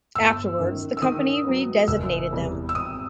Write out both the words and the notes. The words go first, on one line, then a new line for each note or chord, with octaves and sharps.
Afterwards, the company redesignated them.
G1 E6
F#2 D#3
E6
D#3 D#6
F#3 B3
F#1 E6
E2 C3 E3 G3
E6
G#1 D#6